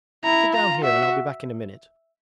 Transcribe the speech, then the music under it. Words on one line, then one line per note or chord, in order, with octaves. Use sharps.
'Sit down here and I'll be back in a minute.
E4 A#5
F4 A#5
F#4 E5